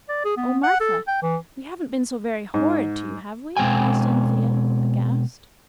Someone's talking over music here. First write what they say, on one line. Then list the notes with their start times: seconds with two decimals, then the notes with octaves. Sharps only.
'Oh, Martha, we haven't been so very horrid to you, have we?' asked Anthea, aghast.
0.09 D5
0.25 G#4
0.37 B3
0.64 F#5
0.80 A4
1.07 G5
1.22 E3
2.54 G#2
3.57 B2 G#3 C4 G5 G#5